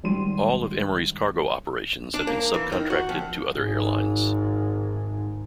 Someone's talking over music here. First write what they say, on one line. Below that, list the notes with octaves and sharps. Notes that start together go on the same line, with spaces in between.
All of Emery's cargo operations have been subcontracted to other airlines.
G#1 G3 C6 D#7
D4
A#3
E3
D#3
F#4
F2
G#1 G#2